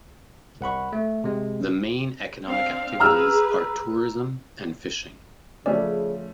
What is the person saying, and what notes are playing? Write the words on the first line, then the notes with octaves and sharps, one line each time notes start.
The main economic activities are tourism and fishing.
C2 F#5 B5 C#6
A3
C3 G#3
C4 D4 F5
G#4 B4 A#5 E6 F6
C#3 F3 A3 C#4 D5